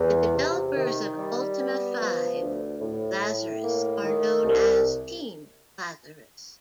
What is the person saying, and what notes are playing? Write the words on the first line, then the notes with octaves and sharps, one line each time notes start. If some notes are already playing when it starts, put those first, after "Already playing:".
The developers of "Ultima Five: Lazarus" are known as Team Lazarus.
Already playing: E2
C3
D#3
G3
B3
F3
D2
A2
A2
A#3
D#3
C2